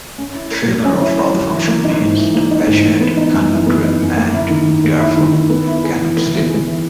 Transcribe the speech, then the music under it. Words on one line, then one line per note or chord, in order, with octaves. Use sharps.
Failure of alpha-function means the patient cannot dream and therefore cannot sleep.
C#4
E4
A#4
F#3
C#4
E4
A#4
F#3
E3
A#3
D#4
G#2
E3
A#3
D#4
G#2
E3
B3
D#4
F#2
E3
B3
D#4
F#2
A#3
E4
D#3
D#3
A#3
E4
D#3
D#3
B3
E4
G#4
E3
B3
E4
G#4
E3